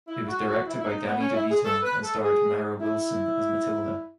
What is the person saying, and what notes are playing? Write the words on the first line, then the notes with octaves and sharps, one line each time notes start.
It was directed by Danny DeVito and starred Mara Wilson as Matilda.
E4
F#4
F#4
E4
E4
D#4
B3
C#4
E4
G#4
A4
B4
A4
G#4
E4